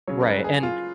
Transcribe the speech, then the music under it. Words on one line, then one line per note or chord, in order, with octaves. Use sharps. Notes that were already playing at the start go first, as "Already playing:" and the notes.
Right, and,
C#3 F#3 C#5
A#4
B4
G#4
F4